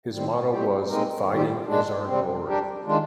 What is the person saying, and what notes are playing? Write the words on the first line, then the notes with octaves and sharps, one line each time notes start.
His motto was: ""Fighting is our glory!
D#3 G3 C4
A#2 G3 C4 G4
A#2 G#3 C4 D#4 A#4
G#2 D#3 G3 C4 G4
A#2 G#3 D4
C3 G3 C4
G3 D4 G4 A#4
D#3 G#3 D4 F4